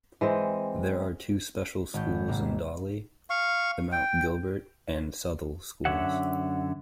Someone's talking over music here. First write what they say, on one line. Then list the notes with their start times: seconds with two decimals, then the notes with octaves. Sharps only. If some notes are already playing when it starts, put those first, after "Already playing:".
There are two special schools in Dawley: the Mount Gilbert and Southall schools.
0.21 E3 G#3 C4
1.94 G#1 C#4 G6
2.28 G#2 C3 A#3
3.30 F5 C#6
3.92 G5
5.85 F#2 D3 E3 C#5 E5 F#5